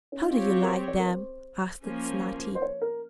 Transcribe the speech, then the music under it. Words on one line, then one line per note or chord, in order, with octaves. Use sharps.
'How do you like them?' asked Snati.
C#4
D#4
C4 F4 G4 C#5
F4
A#4
C5
C#5
A#4
C5
F3 A#3 C#4
C5
C#5
A#4